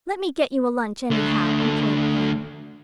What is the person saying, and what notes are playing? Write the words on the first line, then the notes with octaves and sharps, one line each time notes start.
"Let me get you a lunch anyhow," implored Anne.
D3 A3